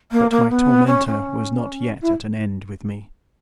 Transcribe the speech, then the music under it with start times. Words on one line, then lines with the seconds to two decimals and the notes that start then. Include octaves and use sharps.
But my tormentor was not yet at an end with me.
0.11 A#3
0.30 A#3
0.49 B3
0.86 C#4
1.06 C#4
2.01 E4